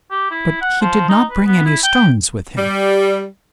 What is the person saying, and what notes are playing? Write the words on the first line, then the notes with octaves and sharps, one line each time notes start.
But he did not bring any stones with him.
G4
E4
F#5
F3
D#4
B4
B3
E4
G5
G3